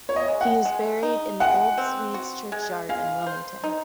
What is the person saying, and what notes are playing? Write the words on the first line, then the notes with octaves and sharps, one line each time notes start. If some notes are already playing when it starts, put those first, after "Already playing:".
He is buried in the Old Swedes Churchyard in Wilmington.
C#5
D#5
G#3
F#5
G#3
D#4
G#3 F#5
C4
F#4
G#3
G#3 F5
C5
D#4